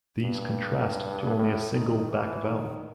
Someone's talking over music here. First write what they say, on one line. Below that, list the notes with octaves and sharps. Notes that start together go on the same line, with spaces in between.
These contrast to only a single back vowel.
G2
A2
D#3
E3
D#3